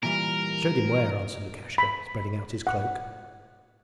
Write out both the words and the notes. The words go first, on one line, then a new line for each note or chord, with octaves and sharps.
'Showed him where,' answered Lukashka, spreading out his cloak.
A#2 E3 G3 A#4
B5
F#5